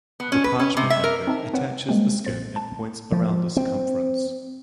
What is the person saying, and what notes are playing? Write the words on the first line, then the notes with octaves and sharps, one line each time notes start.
The parchment maker attaches the skin at points around the circumference.
B3
C#4
B4
C#4
C3
E5
A#4
C4 D#4 A5
C4 B4 C#5 F#5
G3 G#3 A#3 C4
B1 A#2 C5 A6
A5
F3
C4